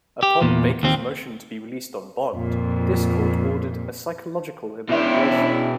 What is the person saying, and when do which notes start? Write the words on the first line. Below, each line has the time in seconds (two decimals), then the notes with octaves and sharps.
Upon Baker's motion to be released on bond, this Court ordered a psychological evaluation.
0.23 G4
0.41 E2 A#2
0.83 D#2 C4
2.35 F2 A#2
4.89 B2 C#4 D4 E4 E5